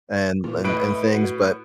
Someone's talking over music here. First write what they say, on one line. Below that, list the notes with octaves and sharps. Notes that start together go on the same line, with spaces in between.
and and and things, but
A#2 E3
A2 B4 D#5 E5 D7
F#4